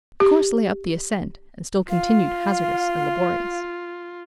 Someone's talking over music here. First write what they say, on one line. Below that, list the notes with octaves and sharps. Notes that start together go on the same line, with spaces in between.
The course lay up the ascent, and still continued hazardous and laborious.
G4
F4 F5